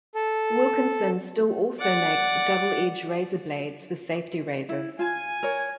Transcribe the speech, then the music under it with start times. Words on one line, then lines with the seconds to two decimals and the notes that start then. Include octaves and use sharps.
Wilkinson still also makes double edge razor blades for safety razors.
0.15 A4
1.80 D5 F#5
4.69 E4
4.99 F4 G#5
5.43 A#4 C#5